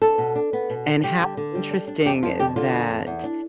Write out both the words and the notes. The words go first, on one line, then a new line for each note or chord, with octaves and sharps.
and how interesting that
D4 A4
B2
D4
B3
B2
D4
G3 G4
D3
D3
G3
D4
D4
F2 G4
F2 F4
D3 G4
D3 F4
F2
F2
E2
D4